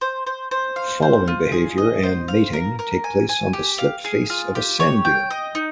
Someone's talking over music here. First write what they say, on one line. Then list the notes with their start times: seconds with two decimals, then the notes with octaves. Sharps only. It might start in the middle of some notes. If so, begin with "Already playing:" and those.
Following behavior and mating take place on the slip face of a sand dune.
0.01 C5
0.27 C5
0.51 C5
0.76 F5
1.02 C5
1.28 F4
1.52 G#4
1.78 D#5
2.03 C5
2.28 F5
2.53 A#4
2.79 A#4
3.04 G#5
3.29 G#5
3.53 G4
3.78 F5
4.04 G#4
4.30 F4
4.55 G4
4.80 C#5
5.05 G5
5.31 D#5
5.55 D#4